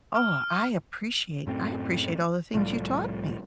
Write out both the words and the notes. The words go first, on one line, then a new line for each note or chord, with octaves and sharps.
Oh, I appreciate I appreciate all the things you taught me.
F6
F#2 A2 C4
C2 A2 F3 G3